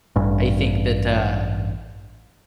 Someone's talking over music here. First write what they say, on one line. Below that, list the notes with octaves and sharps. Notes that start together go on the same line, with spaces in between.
I think that, uh,
A1 G2